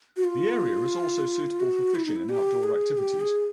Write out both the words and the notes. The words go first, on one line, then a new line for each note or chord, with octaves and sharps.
The area is also suitable for fishing and outdoor activities.
F#4
F4
F#4
E4
D#4
E4
G4
G#4
G4
G#4